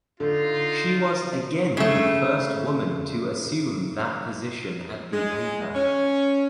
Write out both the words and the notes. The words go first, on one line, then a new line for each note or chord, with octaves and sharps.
She was again the first woman to assume that position at the paper.
D3 D#4 F4
C#3 A3
G#3
C#4